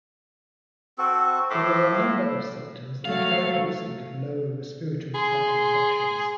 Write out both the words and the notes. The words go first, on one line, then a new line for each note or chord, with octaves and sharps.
There are a number of symptoms that are characteristic of lower respiratory tract infections.
C4 F#4 A4
A2 A4 C6 D6
F#3 A3 F5
G#4 C6